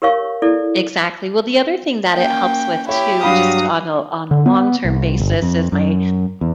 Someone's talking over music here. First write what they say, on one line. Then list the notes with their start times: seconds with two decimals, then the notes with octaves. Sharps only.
exactly, well, the other thing that it helps with too- just on a on a long term basis- is my
0.02 G4 A#4 C#5 F5 C#6
0.42 E4 A4 D5
2.14 A#3 C#4 G5
2.89 E4 G4 C#5
3.23 G2 F#3 F#4 F5 B5 D#6
4.31 D3
4.46 B3
4.85 C2
5.20 G1
5.42 F2
5.72 F#2
6.41 E2